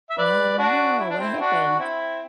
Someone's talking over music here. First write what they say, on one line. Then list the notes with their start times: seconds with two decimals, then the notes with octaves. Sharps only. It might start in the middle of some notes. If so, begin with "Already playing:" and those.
Oh, no! What happened?
0.10 E5
0.17 B4 D5
0.58 D4 F#4
0.98 E4
1.09 D4
1.19 C4 E4
1.39 D4 F#4
1.79 C4 E4